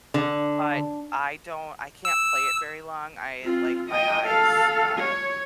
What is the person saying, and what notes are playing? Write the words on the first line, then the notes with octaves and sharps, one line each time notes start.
but I don't I can't play it very long. I like, my eyes, uh,
D3
E6
C4 F4
D#5 G5
A4 F5
C#5